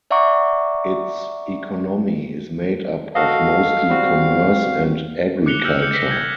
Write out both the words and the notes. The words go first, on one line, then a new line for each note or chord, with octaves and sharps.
Its economy is made up of mostly commerce and agriculture.
D5 E5 F#5 A#5 C#6 D6
F#4 A4 D#5 F5
G3 C4 F#4
D6 F#6 C#7 F7 G7
E6 F6 G6 F#7
F6 G6 C#7
A#6 B6
G6 G#6